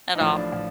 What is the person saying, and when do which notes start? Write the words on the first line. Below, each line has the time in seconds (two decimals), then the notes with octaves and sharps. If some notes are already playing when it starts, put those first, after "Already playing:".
at all.
0.15 D#4
0.20 A1 A2 F3 F4
0.36 D4
0.52 A2 F3